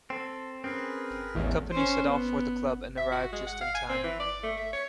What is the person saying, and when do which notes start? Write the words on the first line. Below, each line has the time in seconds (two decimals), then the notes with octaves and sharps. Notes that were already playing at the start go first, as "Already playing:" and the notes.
The company set off for the club and arrive just in time.
0.10 C4 A4
0.64 C4 C#4 G#4 A#4 B4
1.35 A1 E2 E3 G#3 C#5
1.71 C#4 C5
2.06 B3
2.97 E5
3.12 F#4
3.32 G#3
3.46 F#5
3.61 F5
3.75 G#5
3.89 C4
4.04 E3
4.20 D5
4.43 A3
4.57 E5
4.73 C#5